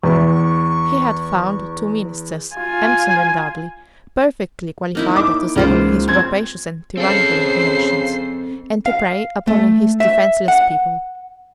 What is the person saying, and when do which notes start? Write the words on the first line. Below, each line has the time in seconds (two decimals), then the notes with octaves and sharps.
He had found two ministers Empson and Dudley, perfectly qualified to second his rapacious and tyrannical inclinations, and to prey upon his defenceless people.
0.03 E2 E4 C#6
2.56 F4 G#5
4.95 A#3 D#4 E4
5.16 D6
5.56 C#2 A#3 F4 C5
6.08 C4 C6 G#6
6.97 C#3 C4 A4 C5 C7
8.86 F5
9.47 A3
10.00 E5
10.48 F#5